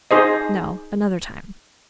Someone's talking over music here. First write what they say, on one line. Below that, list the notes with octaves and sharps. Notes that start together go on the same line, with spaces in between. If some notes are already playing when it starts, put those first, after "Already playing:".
"No, another time."
D#4 G#4 C5 D#5